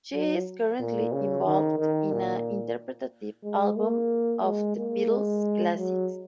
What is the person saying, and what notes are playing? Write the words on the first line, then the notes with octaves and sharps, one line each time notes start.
She is currently involved in an interpretative album of the Beatles' classics.
F#3
A#2
C#3
D#3
D#3
A#2
G#3
A#3
G#3
A#3
G#3
F#3